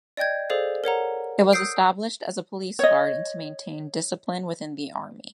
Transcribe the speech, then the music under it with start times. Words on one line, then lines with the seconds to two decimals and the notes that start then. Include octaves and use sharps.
It was established as a police guard and to maintain discipline within the army.
0.17 D5 D#5 G5 G6 G#6
0.50 G#4 A4 C5 D5 F5
0.84 A#4 C#5 F#5 A#5
1.53 D#6 E6 G6 C7 D7
2.79 C#5 D#5